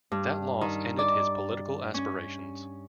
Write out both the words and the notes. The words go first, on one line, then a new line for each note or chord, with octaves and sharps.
That loss ended his political aspirations.
G2
D#3
D5
C#4